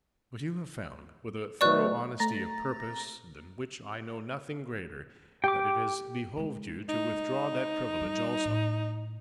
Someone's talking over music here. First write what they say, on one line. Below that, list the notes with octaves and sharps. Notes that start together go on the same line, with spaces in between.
But you have found,--with a thorough honesty of purpose than which I know nothing greater,--that it has behoved you to withdraw that privilege also.
B2 F#3 A3 D5 C#6 F#6
A3 A#5 A6 A#6
G4 G5 D6
C#3 G#3
D#4
G3
A2